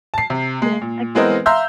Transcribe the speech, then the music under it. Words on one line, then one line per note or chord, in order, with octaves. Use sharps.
Yeah, I get that.
A5 C7
C3
G#3
A#2
E3 G#3 B3 C4 A#4 D#5
E5 F5 A#5 C6 E6 G6